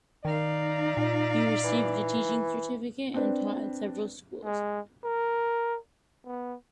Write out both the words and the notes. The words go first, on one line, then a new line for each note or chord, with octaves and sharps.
He received a teaching certificate and taught at several schools.
D#3 D#4 D5 F5
A#2
E3
C4 D4 B4
G#3
A#4
B3